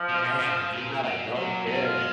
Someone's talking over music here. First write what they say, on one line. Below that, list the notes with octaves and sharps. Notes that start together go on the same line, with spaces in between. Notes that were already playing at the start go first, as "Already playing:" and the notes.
Man, too bad I don't care.
Already playing: F3
B2
C#3
A#2
B2
A#2 F#3
B2
F4
G#3